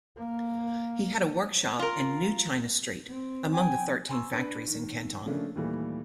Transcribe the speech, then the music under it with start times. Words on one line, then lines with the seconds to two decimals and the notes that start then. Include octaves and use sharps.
He had a workshop in 'New China Street' among the Thirteen Factories in Canton.
0.17 A#3
1.79 F4 A#4
3.10 C4
3.53 G5 G#5
4.09 G#5 A#5 C6 C#6 E6
4.33 D4 B4
4.67 D#3
5.26 C#3 F3 A3 A#3 D4
5.55 D#2 A#2 E3 G3 A3